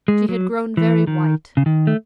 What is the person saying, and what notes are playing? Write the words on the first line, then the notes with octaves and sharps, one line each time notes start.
She had grown very white.
G#3
F#3
E3
D#3
C#3
D#3
A3